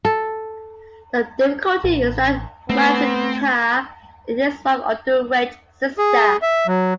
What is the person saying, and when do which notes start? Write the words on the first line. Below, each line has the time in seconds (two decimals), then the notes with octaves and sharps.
The difficulty is that Magenta is his wife's underaged sister.
0.05 A4
1.84 A1
2.70 A3 B3 C4
5.98 G#4
6.42 E5
6.67 F#3